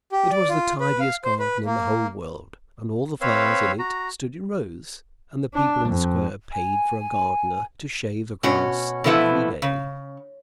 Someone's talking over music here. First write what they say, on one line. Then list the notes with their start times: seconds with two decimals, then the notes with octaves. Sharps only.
It was the tidiest garden in the whole world, and all the flowers in it stood in rows; and the people in the Square paid for a gardener to shave the grass every day.
0.12 G4
0.31 D5
0.49 F4
0.81 B4
1.00 F5
1.24 C5
1.39 B4
1.65 A#3
3.21 C4 B4 C#5 F5 E6
3.79 F#4 A#5
5.54 D4
5.89 F2
6.53 G#5
8.43 B2 C#4 F#4
9.04 B2 E3 F3 A3 B3 E4
9.62 C#3